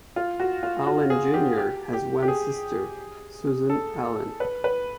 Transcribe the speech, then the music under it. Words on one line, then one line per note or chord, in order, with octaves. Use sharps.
Allen Junior has one sister, Susan Allen.
F4
F#4
F4
F#4
G#4
G4
G4
G4
G4
G#4
A4
B4
B4